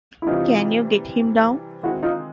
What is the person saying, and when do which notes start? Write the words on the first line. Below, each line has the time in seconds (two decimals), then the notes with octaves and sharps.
Can you get him down?
0.22 E4
0.27 C3 E3 G3 C4 D#4 F4
1.83 D#3 G#3 C4 E4 F#4
2.03 D#4 F4